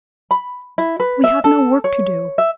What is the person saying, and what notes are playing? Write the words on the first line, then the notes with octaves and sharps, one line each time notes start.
We have no work to do.
B5
E4
B4
E5
A4
C#5
E5